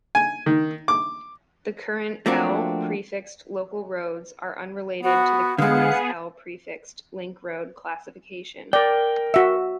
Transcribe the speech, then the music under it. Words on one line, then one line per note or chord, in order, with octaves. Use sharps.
The current "L"-prefixed local roads are unrelated to the previous "L"-prefixed link road classification.
G#5
D#3
D6
F3 A3 A#3 C4 D4 F#4
B3 F#4
D3 G#3 B3 G#4 F5 F#5
A#4 D5 G5
F#4 E5